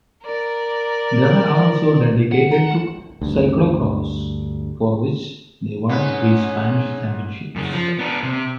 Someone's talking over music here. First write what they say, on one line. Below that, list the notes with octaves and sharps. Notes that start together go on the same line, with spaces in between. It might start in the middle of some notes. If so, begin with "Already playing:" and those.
They were also dedicated to cyclo-cross, for which they won three Spanish Championships.
A#4 D5
F#5
A4 A#5
E7
D2 G2
G#2 B3 C#4
F#2 C#3
F3
B3 D4
C3